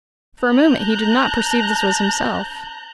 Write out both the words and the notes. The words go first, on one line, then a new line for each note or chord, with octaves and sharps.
For a moment he did not perceive this was himself.
A5 A#5 F#6 G6